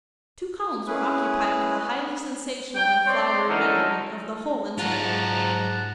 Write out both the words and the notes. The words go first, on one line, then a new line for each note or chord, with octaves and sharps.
Two columns were occupied with a highly sensational and flowery rendering of the whole incident.
C#4 E4 G#4 B4
G5
C4 C#5 D5 C6
D3 E3 C#4 D#4 A4 A#4
G#2 F#3 F4 F#5 A5 A#5